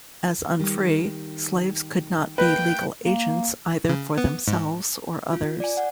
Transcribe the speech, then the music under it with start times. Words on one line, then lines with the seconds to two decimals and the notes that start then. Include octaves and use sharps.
As unfree, slaves could not be legal agents either for themselves or others.
0.59 D#3 G3
2.38 A#3 B4 D#5 G5
3.03 A#3
3.89 C#3
4.18 B3
4.48 G#2
5.33 F4
5.60 D5 G#5
5.77 F#5